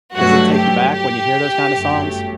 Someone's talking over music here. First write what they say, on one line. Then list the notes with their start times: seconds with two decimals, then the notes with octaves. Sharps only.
Does it take you back when you hear those kinda songs?
0.16 G2 F#3 A3 F#4
0.55 G4
0.95 G4
1.74 G1 F#2 F#3 A3